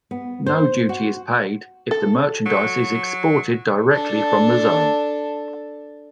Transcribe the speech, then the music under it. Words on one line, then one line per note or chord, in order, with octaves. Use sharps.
No duty is paid if the merchandise is exported directly from the zone.
B3
C5
F#4
A4
F#3
D4 A4